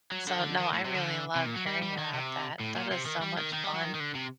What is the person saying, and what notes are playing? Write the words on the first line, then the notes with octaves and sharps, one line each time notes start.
So, no, I really love hearing about that. That is so much fun.
F#3
D3
D#3
D3
D#3
A2
C3
D3
C3
A#2
F#3
G3
G3
D#3
C3
A2
A#2
C3
D#3
G3
D#3
D#3
G3
F#3
D#3
D#3
D3
C3